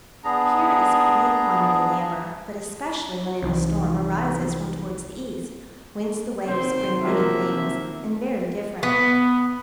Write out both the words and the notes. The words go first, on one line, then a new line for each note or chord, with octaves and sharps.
Here is great quantity of amber, but especially when any storm arises from towards the east; whence the waves bring many things, and very different.
B3 D4 G#4 A#5
C2 C3 E3 D#4
C3 D#3 C4 C5
F3 F#3 A#3 E5
B3